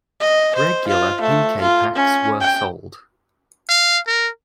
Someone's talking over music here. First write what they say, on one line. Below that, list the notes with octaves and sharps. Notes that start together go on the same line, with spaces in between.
Regular piquet-packs were sold.
D#5
C5
F4
A3
F4
C#4
G5
F5
A#4